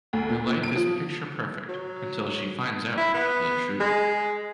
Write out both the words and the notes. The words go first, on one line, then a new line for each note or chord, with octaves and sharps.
Her life is picture perfect until she finds out the truth.
D2
A#2
D7
F3
F#3
E4
B3
G#3